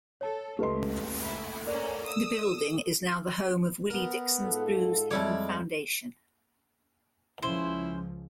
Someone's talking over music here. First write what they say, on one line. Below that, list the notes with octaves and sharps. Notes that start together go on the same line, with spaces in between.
The building is now the home of Willie Dixon's Blues Heaven Foundation.
A4 C#5 A5
C#2 A3 G4 B4 D#5 C6
E4
A#3 C#4 A#4 D5
D#6 E6
B3 A#4
G#2 F4 A4
F2 G3 G#3 E4 C#5 D6
C#2 F3 C#4 E4 C5